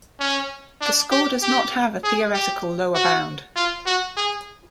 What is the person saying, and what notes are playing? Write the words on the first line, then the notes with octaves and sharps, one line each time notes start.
The score does not have a theoretical lower bound.
C#4
D4
G4
G4
G#4
G4
F#4
F4
F#4
G#4